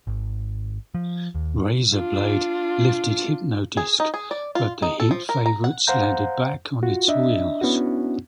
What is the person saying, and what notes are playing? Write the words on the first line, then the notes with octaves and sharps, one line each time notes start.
Raizer Blade lifted Hypno-Disc, but the heat favourites landed back on its wheels.
G#1
F3
D#2
D4 F4
G#4
D#4
G#4
D5
F4
D#4
A4
F3
A#4
A#5
F#5
C5 F5 F#5 A#5 G6
F4 F#4
D4 D#5 E5
B3 C#4 D4 E4 F#4